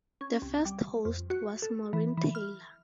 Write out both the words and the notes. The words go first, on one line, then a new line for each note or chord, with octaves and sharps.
The first host was Maureen Taylor.
C#4
C2
G3
F2
F#4
A4
E3
E3
F6